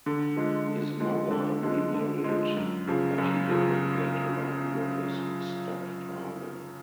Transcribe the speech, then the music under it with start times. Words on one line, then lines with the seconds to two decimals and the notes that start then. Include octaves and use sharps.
His mother remarried, but he did not get along with his stepfather.
0.06 D3
0.36 F3 G#3
0.68 D3
1.00 F3 G#3
1.31 D3
1.63 F3 G#3
1.94 D3
2.24 F3 G#3
2.57 F#2
2.88 C#3 F3
3.18 F#2
3.49 C#3 F3